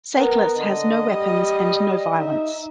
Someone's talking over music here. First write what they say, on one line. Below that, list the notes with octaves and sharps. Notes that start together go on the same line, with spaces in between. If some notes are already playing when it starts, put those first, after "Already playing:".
"Seiklus" has no weapons and no violence.
B3 A#4
D3 D#5
G3
D#4 E5